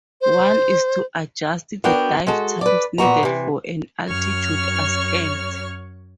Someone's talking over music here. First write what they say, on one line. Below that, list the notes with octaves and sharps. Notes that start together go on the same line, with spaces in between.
One is to adjust the dive times needed for an altitude ascent.
C5
B3 D4 F#4 A#4 G5
G#3 F#4 A4
B4 D5
A#2 B3 F#4 A#5
C3 E3
F#2 C#5 C#6 F6